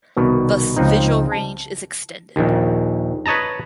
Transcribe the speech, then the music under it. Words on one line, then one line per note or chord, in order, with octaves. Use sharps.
Thus the visual range is extended.
C2 B2 D#3
C#2 F3 C4 D#4
A5
A#1 D#2
B4 C#5 D#5 A5 A#5